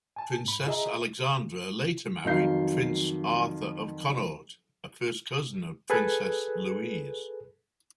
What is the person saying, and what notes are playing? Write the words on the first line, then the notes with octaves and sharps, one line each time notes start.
Princess Alexandra later married Prince Arthur of Connaught, a first cousin of Princess Louise.
G#5 A5
G#2 B5
F4 G#4 D#5 E5 A#5
F2 D#3 F#3 F5 G6 C7
G#4 A4 B4 F#6 G#6